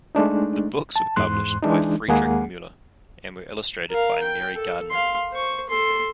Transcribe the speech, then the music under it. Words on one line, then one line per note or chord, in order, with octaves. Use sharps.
The books were published by Frederick Muller and were illustrated by Mary Gardiner.
G#3 A3 D4 D#4
A5
E2 G#2 C6 F#6
E3 G#3 D4 D#4
D#2 G#3 A#3 G#4 F#5
A#4 F5
G5
A4
F5 C6
C5 C#6
A4 C6